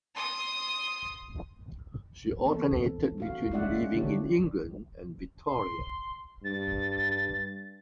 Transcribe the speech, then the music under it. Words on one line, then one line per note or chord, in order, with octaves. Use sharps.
She alternated between living in England and Victoria.
C6 D#6
E3 B3 C4 A4
D4 F#4 F5
G#3 C#4 F4 D5 E5 F#5
D3 E3 D4 E4 G4 C#5
C6
G2 A6